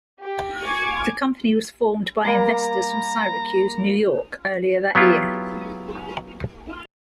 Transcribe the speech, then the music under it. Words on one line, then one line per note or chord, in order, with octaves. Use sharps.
The company was formed by investors from Syracuse, New York, earlier that year.
G4
G#5 C#6 D6 G#6
G3 A#3 A#5
F#3 B3 E4 F4 G4